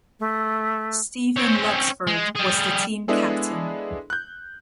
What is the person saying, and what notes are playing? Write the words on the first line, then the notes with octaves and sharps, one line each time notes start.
Stephen Luxford was the team captain.
A3
C4 C#4
G#3
G3 G#4
G#3 B3 D4 E4 G#4 A4
F#6 G6